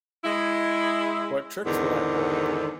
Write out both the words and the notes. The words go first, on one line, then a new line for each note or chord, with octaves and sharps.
What tricks would I pull?
G#3 E4
E2 G#2 D3 D#3 B3